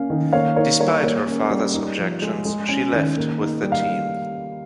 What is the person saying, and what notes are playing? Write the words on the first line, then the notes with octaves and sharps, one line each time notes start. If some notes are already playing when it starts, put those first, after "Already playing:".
Despite her father’s objections, she left with the team.
Already playing: A#3 C#4 F5
D#3
A#3 C#5 F5
D#4 A#4 C#5
G3 A#4 C#5
A#3 A#4 C#5
C#4
G3
D#4
F3
G#3
G#3
C#4
D#3
A#3
D#4
G3
F5